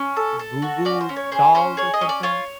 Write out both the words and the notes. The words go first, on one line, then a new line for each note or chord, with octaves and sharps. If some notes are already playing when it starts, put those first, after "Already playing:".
Goo Goo Dolls or something.
Already playing: C#4
A4
A4
F#4
C#4 D5
C5
C#4
C#5
G#4 C5
C#4 C5
G#4 C#5
D#5
C#4
D5
F4 C#5